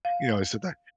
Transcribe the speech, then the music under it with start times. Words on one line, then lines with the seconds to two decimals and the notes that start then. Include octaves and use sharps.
you know, I sit there?
0.05 F5